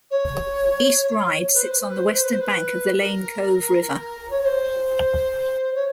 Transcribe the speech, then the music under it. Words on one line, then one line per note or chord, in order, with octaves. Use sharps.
East Ryde sits on the western bank of the Lane Cove River.
C#5
B4
C5
B4
C5
B4
C5
B4
C5
B4
C5
B4
A#4
C#5
C#5
C5
C#5